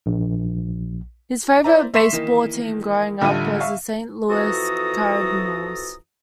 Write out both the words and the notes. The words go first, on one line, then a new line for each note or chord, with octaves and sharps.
His favorite baseball team growing up was the Saint Louis Cardinals.
A#1
E4 C5 D5 E5 A#5
E5 C6 C#6 B6 C7 E7
D#3 E3 A#3 D#4
A1 D3 G3 A3 F4 D#7
E5 F5 C#6
F2 E3 F#4 A4 A#5 D#6